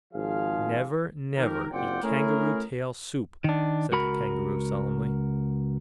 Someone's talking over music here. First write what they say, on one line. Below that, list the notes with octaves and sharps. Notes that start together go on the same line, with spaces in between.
"Never, never eat kangaroo-tail soup!" said the Kangaroo, solemnly.
G#1 F3 G#4 F5
D#3 F3 G#3 G4 A#4
F#1 C4 F4 D5 F#5 G5
A3 C#4 E4 G#4 A#4
D#3 D4
C#2 F#4 A#4 B5